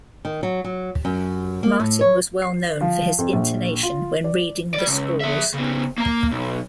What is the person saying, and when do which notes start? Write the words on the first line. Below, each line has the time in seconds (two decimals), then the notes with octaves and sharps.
Martin was well known for his intonation when reading the scores.
0.25 D#3
0.43 F#3
0.64 F#3
1.05 F#2
1.63 A#3
1.80 A2
2.01 C#5
2.42 C7
2.81 F3
3.18 F2
3.33 A#1
3.83 F4
4.24 D5
4.74 G3 D5
4.87 C#2
5.21 G#4 E5
5.54 C#3 B3
5.98 A#3 A#5
6.31 B1